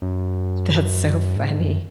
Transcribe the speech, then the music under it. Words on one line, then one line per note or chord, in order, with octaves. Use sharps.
That's so funny.
F#2
G#2
F#2